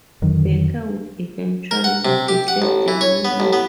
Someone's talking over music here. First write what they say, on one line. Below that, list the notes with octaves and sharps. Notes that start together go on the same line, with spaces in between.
Baker would eventually be declared the winner.
F2 D3 D#3 F#3
A#4
F#5
C3
G4
F#5
A1
E3
C#5
B3
A1
B3